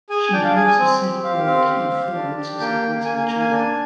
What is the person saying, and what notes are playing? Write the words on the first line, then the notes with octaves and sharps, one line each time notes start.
She had to seek work in film to support her children.
G#4 G#5
D4 G5
F5
G#4 G#5
G#5
C4
G4
G4 F5
C4 F5
G4
G4
D4
G4
A#3 G5
A#3
A#3 G#5
G#5
A#3 A#5
G#5
D4